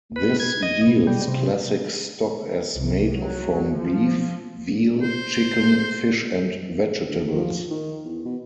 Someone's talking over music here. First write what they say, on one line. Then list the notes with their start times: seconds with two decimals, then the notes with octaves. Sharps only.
This yields classic stock as made from beef, veal, chicken, fish and vegetables.
0.16 B4
0.40 G#6
0.63 D#5
0.87 B2
1.07 G3
1.28 C3
2.74 C2
3.12 F#3
3.75 F3
5.02 C5
7.08 D2
7.35 F3
7.70 D#3
8.05 E2
8.25 B2